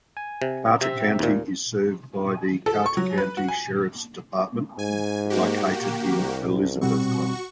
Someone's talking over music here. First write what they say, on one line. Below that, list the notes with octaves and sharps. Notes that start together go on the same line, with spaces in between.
Carter County is served by the Carter County Sheriff's Department, located in Elizabethton.
G#5
C3
C3 C4 E5
D#2 A#2
A4
C#6
F#3
B4
F#4
G#5
G#2 G#5
A#3 F#4 G4
C2
B2 G3 C4 F#4 C#6